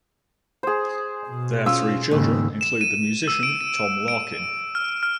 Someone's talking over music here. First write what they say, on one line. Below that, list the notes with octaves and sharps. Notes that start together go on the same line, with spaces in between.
Their three children include the musician Tom Larkin.
G#4 C5
B2
C#4 F4 E6
D#2 G#2 C#3
E7
D#7
E6
D7
D#7
D7
F6
F6